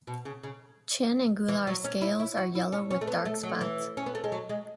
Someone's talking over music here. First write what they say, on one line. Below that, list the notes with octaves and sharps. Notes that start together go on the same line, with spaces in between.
Chin and gular scales are yellow with dark spots.
B2
C#3
C#3
E3
F#3
C#4
E4
E4
F#4
E4
C#4
C#4
A3
B3
A3
F#3
E3
C#4
B3
A3
G#3
F#3
G#3